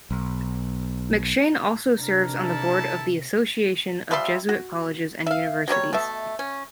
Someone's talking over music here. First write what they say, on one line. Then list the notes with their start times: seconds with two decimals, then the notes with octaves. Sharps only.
McShane also serves on the board of the Association of Jesuit Colleges and Universities.
0.11 B1
1.99 C3 D4 A#4
2.40 E4 A4 A5
4.11 F3 G3 E5 C6
4.49 F#4
5.27 E5 F5
5.68 F#3 G3 G4 C#5
5.93 B2 A3 E5
6.39 C#4